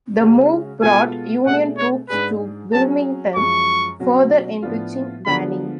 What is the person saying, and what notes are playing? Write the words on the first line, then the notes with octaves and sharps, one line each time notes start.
The move brought Union troops to Wilmington, further enriching Banning.
C#3 G#3 C#4 F#4
B2 G#3 B3 F4 A4 G#5
B2 A3 D4 G#4 F#5
C#5
G#2 G#3 D4 G#4 B4
F#3 C#4 G#4 A5
F#2 F3 G#3 C#6
B2 F#3 C#4 F#4
A2 F3 B3 D4 F4
D3 F3 G#3 B3 D4 B5